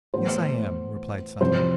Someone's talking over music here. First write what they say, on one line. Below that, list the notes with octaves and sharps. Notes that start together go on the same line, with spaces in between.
'Yes, I am,' replied Simon.
A2 E3 B3 C5
F2 C3 E3 C5